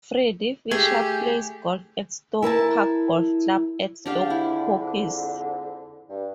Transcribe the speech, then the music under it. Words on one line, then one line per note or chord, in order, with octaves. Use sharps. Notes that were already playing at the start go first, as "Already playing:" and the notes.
Freddie Fisher plays golf at Stoke Park Golf Club at Stoke Poges.
A3 G4 G#4
E4 A#4 E5 A5
F2 G#2 D3 D4 G4 F5
E4
G2